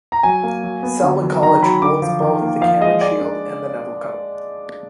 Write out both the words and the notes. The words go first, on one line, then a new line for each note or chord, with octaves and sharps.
Selwyn college holds both The Cameron Shield and The Nevill Cup.
A#5
F#3 G#5
A#3
F#3
B3
D3
F#3
D#3 A#5
F#3 B5
D3 D6
F3
D#3
A#3
F3 F5
G#3 D#5
G#3 D5
D4